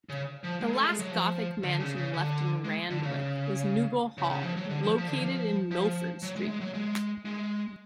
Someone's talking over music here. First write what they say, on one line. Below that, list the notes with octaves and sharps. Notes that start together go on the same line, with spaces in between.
The last Gothic mansion left in Randwick is Nugal Hall, located in Milford Street.
C#3
F3
G#3
A3
G#3
F#3
F3
D3
C#3
C#3
D3
G#3
D3
C#3
C#3
C#3
F3
F#3
D3
F3
F3
D3
F3
F3
F#3
G#3
G#3
F#3
G#3
G#3